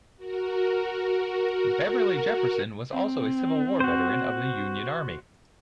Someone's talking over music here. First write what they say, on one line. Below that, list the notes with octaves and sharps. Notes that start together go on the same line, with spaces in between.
Beverley Jefferson was also a Civil War veteran of the Union Army.
F#4 A#4
C4
F#4 C5